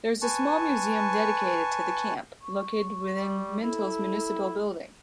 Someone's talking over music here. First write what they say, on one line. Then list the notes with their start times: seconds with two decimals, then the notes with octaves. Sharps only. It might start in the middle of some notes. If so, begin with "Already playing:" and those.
There is a small museum dedicated to the camp located within Minto's municipal building.
0.22 B4 G#5 A5 C#6
2.41 C#6
3.15 G3
3.63 E4 A4